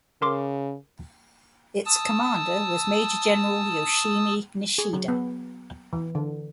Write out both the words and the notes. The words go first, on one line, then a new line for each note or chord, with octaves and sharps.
Its commander was Major General Yoshimi Nishida.
C#3 A#4 C6 D6
A5 D#6 E6
G#4
F#3
B3
E3
D3